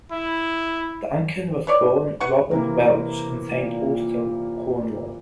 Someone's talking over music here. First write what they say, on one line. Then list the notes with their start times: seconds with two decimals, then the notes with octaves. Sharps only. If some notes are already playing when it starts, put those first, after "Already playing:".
Duncan was born Robert Welch in Saint Austell, Cornwall.
0.12 E4
1.67 B4 C#5 D5
2.20 B4 F#5 C#6
2.51 C3 E3 A#3 A#4
3.51 A#2